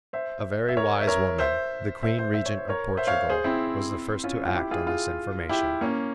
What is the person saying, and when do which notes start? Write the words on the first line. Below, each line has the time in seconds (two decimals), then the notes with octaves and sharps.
A very wise woman--the Queen Regent of Portugal--was the first to act on this information.
0.13 C5 E5
0.69 E5
0.77 A#4 C#5
1.01 E5
1.07 A#4 C#5
1.39 C5 E5
2.03 C5 E5
2.18 C5 E5
2.34 E5
2.46 C#5
2.57 C5
2.69 A#4 C#5
2.97 C5 E5
3.07 C#5 F5
3.30 G#4 C5
3.44 C4 E4
4.24 C#4 F4
4.48 F4
4.55 E4 G4
4.71 F4 G#4
4.87 F4 G#4
5.49 E4 G4
5.81 A#3 C#4